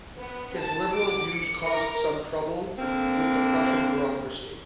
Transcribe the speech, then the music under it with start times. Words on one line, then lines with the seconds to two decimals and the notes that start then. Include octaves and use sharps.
His liberal views caused some trouble with the Prussian bureaucracy.
0.19 B3
0.56 A5
0.94 D6
1.35 C#7
1.69 A#4
2.79 D3 A#3 C4